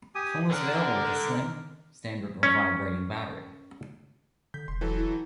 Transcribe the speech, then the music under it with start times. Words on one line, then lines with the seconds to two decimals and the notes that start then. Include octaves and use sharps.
The phone was available with a slim, standard or vibrating battery.
0.15 G4 G#5 D#6
0.52 D3 A#4 F#5
2.43 C#4
4.54 D3 G6 B6
4.68 E1 C6
4.81 E3 F#3 A4
4.95 E4